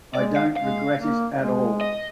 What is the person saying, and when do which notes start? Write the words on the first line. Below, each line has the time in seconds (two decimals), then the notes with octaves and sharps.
I don’t regret it at all.
0.14 G#3 D5
0.36 F5
0.56 G#3 F5
0.97 A#3
1.39 G#3
1.81 D#5